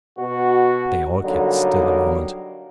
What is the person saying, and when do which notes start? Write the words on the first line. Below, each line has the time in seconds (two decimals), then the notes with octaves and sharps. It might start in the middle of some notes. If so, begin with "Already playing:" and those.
They all kept still a moment.
0.18 B2 F#4
1.24 D3 F#3 G3 A#3 D#4